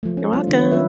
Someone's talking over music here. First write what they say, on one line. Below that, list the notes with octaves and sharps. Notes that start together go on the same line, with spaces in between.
You're welcome.
F3 A3
C#4
G3 A3 C4 F4
D#3 C4 D4
F#3 C#5
F4 B4 D5 E5